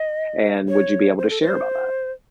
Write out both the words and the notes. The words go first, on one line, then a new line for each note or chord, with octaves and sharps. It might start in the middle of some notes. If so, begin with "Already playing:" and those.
And would you be able to share about that?
Already playing: D#5
C#5
C5
A4
C5